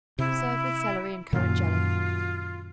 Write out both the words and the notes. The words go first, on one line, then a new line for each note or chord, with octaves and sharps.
Serve with celery and currant jelly.
C3 E4
F#2 A#2 D#3 F4